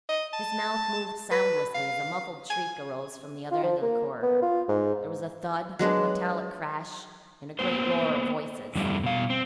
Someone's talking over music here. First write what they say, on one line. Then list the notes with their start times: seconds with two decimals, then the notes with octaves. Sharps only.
His mouth moved soundlessly as a muffled shriek arose from the other end of the corridor; there was a thud, a metallic crash, and a great roar of voices.
0.09 D#5
0.33 A5
1.31 B4
1.75 F5
2.50 G#5
3.51 F4
3.63 F3
3.82 A#3
4.22 B3
4.42 F4
4.68 G#2
5.79 F#3 G#3 D4 B4
7.59 A#3 B3 C5
8.75 F2 D3 G3 E4
9.03 B2 F5
9.30 C4